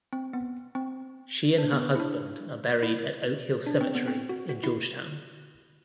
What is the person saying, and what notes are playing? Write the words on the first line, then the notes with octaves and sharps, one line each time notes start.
She and her husband are buried at Oak Hill Cemetery in Georgetown.
C4
B3
C4
D4
B3
E4
D4
E4
D4
C4
B3
C4
F#4
F#4
E4